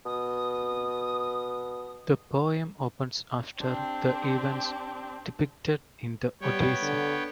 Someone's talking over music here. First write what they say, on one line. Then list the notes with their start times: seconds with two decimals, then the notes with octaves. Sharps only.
The poem opens after the events depicted in the Odyssey.
0.06 B2 D#6
3.58 C4 D4 G4
6.41 G3 B3 C#5 G5
6.83 D3